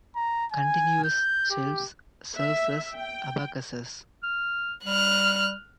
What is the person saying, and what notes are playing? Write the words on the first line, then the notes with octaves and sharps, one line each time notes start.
Continuous shelves serve as abacuses.
A#5
G#5
G6
G4
E5
G5
F6
G3 F6 F#6